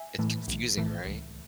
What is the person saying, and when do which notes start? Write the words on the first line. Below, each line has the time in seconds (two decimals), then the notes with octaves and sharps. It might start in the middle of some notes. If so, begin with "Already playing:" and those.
It's confusing, right?
Already playing: E5 G#5
0.18 A2 E3 A3
0.48 B1
0.77 A2 E3 A3
1.06 C#2